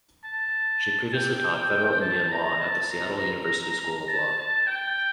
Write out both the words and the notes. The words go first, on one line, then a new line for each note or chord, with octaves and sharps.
She previously taught Federal Indian Law at the Seattle University School of Law.
A5
G5
A5
A#5
A5
A#5
A#5
A5
A5
G5